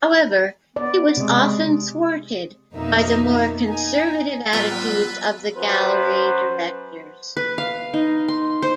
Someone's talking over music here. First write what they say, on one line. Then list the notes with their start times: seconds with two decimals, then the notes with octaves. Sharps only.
However, he was often thwarted by the more conservative attitudes of the gallery directors.
0.76 B3 D5
1.17 C3 G#3
2.74 F2 B2 A#3 D#4 E5
3.66 D#4 G#5
4.53 A1 F3 G3 B3 F4 B4 A#5 E6
5.57 F#2 B4 C5
7.37 B4
7.58 F5
7.94 D#4
8.28 C6
8.62 C5